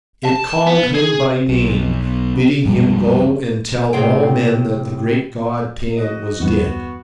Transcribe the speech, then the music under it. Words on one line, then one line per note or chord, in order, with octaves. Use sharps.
It called him by name, bidding him go and tell all men that the great god Pan was dead.
A5
B3
G#4
B1
A#1 F#2 G3 G#3
A2 C3 C4 G#4 G5
F#4 D#5
E2 G2 B3 F#4